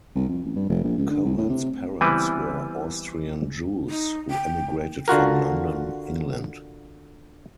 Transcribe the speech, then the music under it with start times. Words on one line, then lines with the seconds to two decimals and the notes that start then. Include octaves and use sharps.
Cohen's parents were Austrian Jews who emigrated from London, England.
0.15 C2
0.28 F2
0.45 A1
0.56 G2
0.69 F1
0.84 A#1
0.98 C#2
1.10 D3
1.25 C2
1.38 A2
1.49 C3
2.01 E3 G3 B3 C4 E4 B4
3.89 D#4
4.30 G5
5.08 D3 F4 F#4 A#4